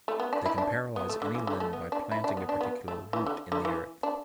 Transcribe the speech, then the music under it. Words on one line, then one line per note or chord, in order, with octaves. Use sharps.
They can paralyze any limb by planting a particular root in the earth.
A3
B3
D4
E4
D4
B3
A3
D3
E3
D3
A3
B3
D4
E4
D4
B3
D4
B3
A3
E3
D3
D3
E3
D4